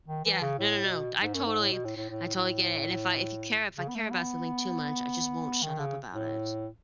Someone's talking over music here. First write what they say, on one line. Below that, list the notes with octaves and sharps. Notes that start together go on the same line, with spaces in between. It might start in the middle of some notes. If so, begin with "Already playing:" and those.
Yeah, no, no, no, I totally I totally get it, and if I if you care if I care about something too much, I just won't shut up about it.
D#3
E3
C#3
A2
B2
G#2
F#2
G#2
A2
B2
A2
A2
A2
A2
C#3
B3
A3
B3
D#3
C#3
A2